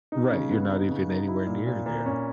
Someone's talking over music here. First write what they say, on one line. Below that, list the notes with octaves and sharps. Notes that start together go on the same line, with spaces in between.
Right. You're not even anywhere near there.
D#4
C#3
B3
D#4
C#3
D#4
E4
A#2
A#2
A#2
C#4